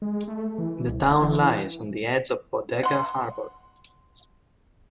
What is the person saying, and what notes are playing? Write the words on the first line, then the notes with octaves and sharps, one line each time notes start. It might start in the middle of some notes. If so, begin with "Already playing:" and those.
The town lies on the edge of Bodega Harbor.
G#3
A3
E3
C2
D1
E3
F#5 C6